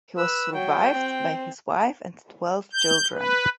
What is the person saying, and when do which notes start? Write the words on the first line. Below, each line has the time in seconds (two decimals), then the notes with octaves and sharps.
He was survived by his wife and twelve children.
0.17 B4 E6
0.54 F#3 G5
0.92 C4
2.73 G6
3.12 B4